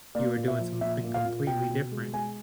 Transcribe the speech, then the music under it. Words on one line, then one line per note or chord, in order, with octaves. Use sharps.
you were doing something completely different,
A#3 D5
A#2
E5
F3
A#2 E5
A#3
F5
A#2
B2 G5
B2
G#3
G#3 G#5